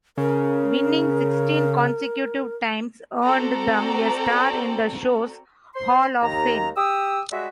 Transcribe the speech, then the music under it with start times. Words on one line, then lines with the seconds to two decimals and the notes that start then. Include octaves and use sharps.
Winning sixteen consecutive times earned them a star in the show's hall of fame.
0.17 C#3 A#4
3.24 C4 F#4 A4 D5 A#5
5.75 C5 C6
6.21 D#2 A#5
6.77 G4 D#6 E6
7.32 G3 G#3 F#4 B4 E5